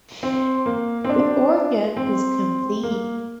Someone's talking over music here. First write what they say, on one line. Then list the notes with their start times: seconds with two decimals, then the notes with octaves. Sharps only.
The Organ is complete.
0.23 C4
0.66 A#3
1.05 C4
1.10 D4
1.97 C4
2.83 A#3